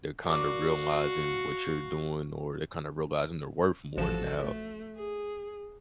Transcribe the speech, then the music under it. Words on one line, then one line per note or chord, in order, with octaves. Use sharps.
they're kinda realizing what you're doing, or they're kinda realizing they're worth more now,
F#4 A#4 D5 F5
A1 F3 F#4 A4 E7
A3
G#4